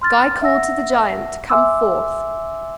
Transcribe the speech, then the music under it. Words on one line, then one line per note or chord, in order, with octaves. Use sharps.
Guy called to the giant to come forth.
C6 F6 A6
E5 F#5 E6 A#6
E5 G#5 C6 D6 E6